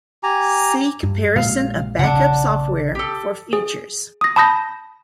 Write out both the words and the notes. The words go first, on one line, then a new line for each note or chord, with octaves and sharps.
See Comparison of backup software for features.
G4 G#5 A#5
G2
A#1 A#2 G#3 F5
A#1 C#3 D4 F#5
G4 A4
G#4
D#6 A#6
A5 B5 D#6 G6 A#6